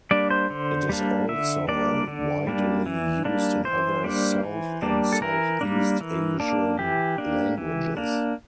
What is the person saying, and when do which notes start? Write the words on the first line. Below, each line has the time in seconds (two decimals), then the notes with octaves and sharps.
It is also widely used in other South and Southeast Asian languages.
0.11 G3 A#3 D4 D5
0.31 C5
0.50 D3
0.89 G3 A#3 D4
1.29 D3 E5
1.68 G3 A#3 D4 D5
2.08 D3
2.47 G3 A#3 D4
2.86 E3
3.25 G3 A#3 D4
3.64 E3 C5
4.04 G3 A#3 D4
4.43 E3
4.82 G3 A#3 D4
5.12 A4
5.22 E3 A#4
5.61 G3 A#3 D4
6.01 E3
6.40 A#3 D4
6.79 E3 G4
7.18 A#3 D4
7.58 E3
7.97 A#3 D4